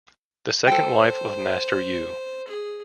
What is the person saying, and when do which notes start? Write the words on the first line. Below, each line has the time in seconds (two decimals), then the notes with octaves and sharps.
The second wife of Master Yu.
0.67 A4 C5 G5
2.47 G#4